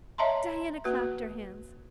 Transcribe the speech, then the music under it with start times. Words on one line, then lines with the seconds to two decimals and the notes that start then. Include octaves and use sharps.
Diana clapped her hands.
0.18 C#5 D#5 E5 A5 A#5 C6
0.85 A#3 F#4 B4